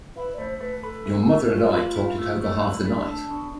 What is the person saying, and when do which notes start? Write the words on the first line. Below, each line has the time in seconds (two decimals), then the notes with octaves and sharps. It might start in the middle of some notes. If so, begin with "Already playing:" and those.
Your mother and I talked it over half the night.
0.16 E4 B4
0.34 D5
0.38 A3 C5
0.60 A3 B4
0.83 A4 B4
1.06 E4
1.29 A3
1.50 A3 F4
1.73 B4
1.96 E4
2.18 A3
2.41 A3
2.63 B4
2.85 A3 D4
3.08 A4
3.30 B2